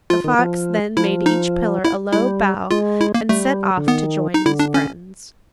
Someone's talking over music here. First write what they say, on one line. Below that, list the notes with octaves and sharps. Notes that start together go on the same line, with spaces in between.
The fox then made each pillar a low bow, and set off to join his friends.
F3 F4
D#3
F3
F3 E4
D#4
E4
G3 E4
G#3 F4
E4
A#3
G3 A3
D3
D#3 B3
D#4
D3 E4
D4
C#4